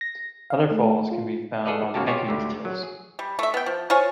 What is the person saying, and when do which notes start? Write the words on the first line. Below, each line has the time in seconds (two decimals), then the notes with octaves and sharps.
Other falls can be found on hiking trails.
0.01 A#6
0.50 F5
0.71 A3
1.11 F4
1.65 G#4 A4 B4 D5 D#5 F5
1.94 G#2 C#3 A#3 F#4 G4 A5
2.07 F4 G4 G#4 C#5
2.27 D2 D3 G4
2.65 F#3
2.83 G#4
3.19 G3
3.39 A3 E5
3.54 B3 G5
3.66 F3
3.90 F4 C5 C#5 G#5